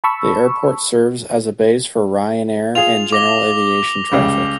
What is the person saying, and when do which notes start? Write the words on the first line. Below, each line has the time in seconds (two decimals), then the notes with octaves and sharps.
The airport serves as a base for Ryanair and general aviation traffic.
0.04 A5 B5 C#6 E6
2.75 F4 G#4 F7
3.12 D6 A#6 G7
4.11 C#2 C#3 G3